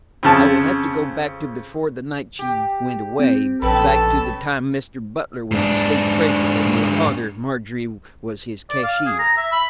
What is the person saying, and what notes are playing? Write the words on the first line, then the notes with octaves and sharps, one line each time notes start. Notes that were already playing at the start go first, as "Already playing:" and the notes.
I will have to go back to before the night she--went away, back to the time Mr. Butler was the state treasurer, and your father, Margery, was his cashier.
F2 C#3 A5
G4
C4
A#1 B2 C#4 A4 B4 B5
G#2 D4
D5
F5
G#4
A#5
E5
B5